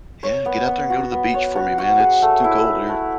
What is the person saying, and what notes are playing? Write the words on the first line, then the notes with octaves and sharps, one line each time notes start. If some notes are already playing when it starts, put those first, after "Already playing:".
Yeah, get out there and go to the beach for me, man. It's too cold here.
C#5
B3
B3
F#4
B3
C#5
F#4
F#4
G#4
A3
E4
E4
A3